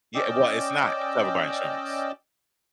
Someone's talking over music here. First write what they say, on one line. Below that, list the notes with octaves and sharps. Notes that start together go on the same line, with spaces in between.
Yeah. Well, it's not covered by insurance.
C#4 D5 D#5 G5 D6 E6